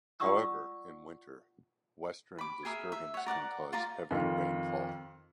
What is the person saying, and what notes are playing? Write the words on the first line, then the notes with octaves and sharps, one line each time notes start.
However, in winter, Western Disturbance can cause heavy rainfall.
F4 D5 F#5 C#6 D#6 E6
B5 D6
G#4 A#4 E5
E5
C#5 F#5
A#4 D5 F#5 D6
F4 A#4 D5 A#5
F2 D#3 F4